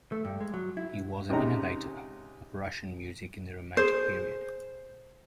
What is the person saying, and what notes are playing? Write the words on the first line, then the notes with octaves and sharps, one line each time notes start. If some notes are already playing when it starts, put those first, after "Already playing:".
He was an innovator of Russian music in the romantic period.
A3
G2
G#3
F#3
E4
C#2 G#2 C3 D#4 A#5
G#4 C5